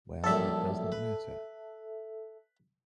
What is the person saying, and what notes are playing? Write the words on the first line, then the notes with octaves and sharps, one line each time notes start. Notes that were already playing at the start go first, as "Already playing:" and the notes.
Well, it doesn’t matter.
A#1 F#2 G3 A4 E5
B4